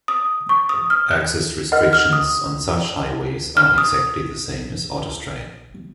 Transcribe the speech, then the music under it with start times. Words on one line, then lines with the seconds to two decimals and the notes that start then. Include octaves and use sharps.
Access restrictions on such highways are exactly the same as autostrade.
0.08 D#6
0.49 C#6
0.69 D#6
0.90 F6
1.11 F#6
1.72 A#4 D#5 F#5 F6
1.93 F6
2.13 D#6
3.57 F6
3.78 D#6